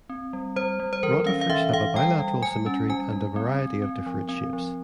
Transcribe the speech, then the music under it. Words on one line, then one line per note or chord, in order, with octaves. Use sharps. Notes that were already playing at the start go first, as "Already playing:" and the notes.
Rotifers have bilateral symmetry and a variety of different shapes.
C4
G3
G3 C5
G3
C5
E3 A#4
C#4 F5
F5
E3 E5
E3 F5
G3 G5
G3
G3 G#5
C#4
G3 G#5
G3
C4
C4
C4
F3
C4
F3